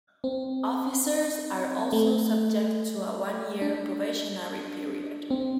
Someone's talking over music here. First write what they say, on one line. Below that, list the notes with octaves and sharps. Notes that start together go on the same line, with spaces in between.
Officers are also subject to a one-year probationary period.
C4
A3
D4
C4